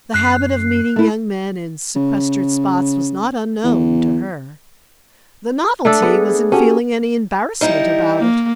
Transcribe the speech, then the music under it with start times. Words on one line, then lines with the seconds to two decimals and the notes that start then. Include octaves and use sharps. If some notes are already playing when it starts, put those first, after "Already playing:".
The habit of meeting young men in sequestered spots was not unknown to her: the novelty was in feeling any embarrassment about it.
0.14 F#2 F#6 C7
0.96 A3 E4
1.96 C#3
3.64 E2
5.85 A3 D4 A4
6.02 B3 G#4
6.52 C#4 F#4 G4 A4
7.61 G3 D#4 E4
8.20 A#3